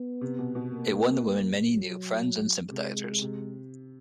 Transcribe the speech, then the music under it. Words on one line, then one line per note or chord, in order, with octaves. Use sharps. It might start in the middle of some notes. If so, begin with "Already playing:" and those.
It won the women many new friends and sympathisers.
Already playing: B3
C3
B2
B2
A#3
F#3
C3 G#3
C3